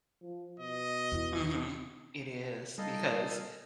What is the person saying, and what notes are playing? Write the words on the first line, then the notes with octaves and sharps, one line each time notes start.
Mhm. It is, because,
F3
B2 D#5
E2 E4
G3 D#4 A4 D#5 F5 G#5